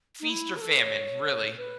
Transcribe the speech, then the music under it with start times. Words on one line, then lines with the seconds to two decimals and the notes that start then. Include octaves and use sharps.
feast or famine, really.
0.20 D#4
0.30 E4
0.56 A#4
0.62 A4
0.77 C#5
1.57 B4